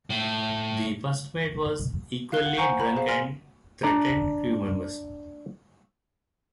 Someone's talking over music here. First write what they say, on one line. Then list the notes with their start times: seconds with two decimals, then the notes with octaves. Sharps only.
The first mate was equally drunk and threatened crew members.
0.10 A2
2.32 F5 F#6 G7
2.46 F#5
2.57 C5 F#5 G#5 A#5 C#6 G6
2.80 A#5 B5
2.96 G#4 C5 F5
3.08 G#5 C6 F6
3.83 D4 D5 A#5